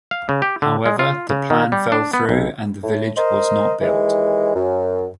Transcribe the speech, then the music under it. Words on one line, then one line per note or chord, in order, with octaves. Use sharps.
However the plan fell through and the village was not built.
F5
C#3
G4
D3
G#3
F4
C#3
D#3
G3
D4
B3
B1
A2
A#4 C5 D#5
D#2 E3 G#3
F#2